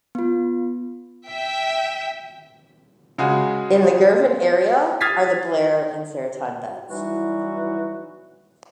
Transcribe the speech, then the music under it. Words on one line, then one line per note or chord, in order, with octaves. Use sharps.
In the Girvan area are the Blair and Straiton Beds.
B3 F4
E5 G5
C#3 G#3 F#4 G#4
D#6 F6 G#6 A6 B6 C7
E3 F#3 G3 D#4 E4 F#4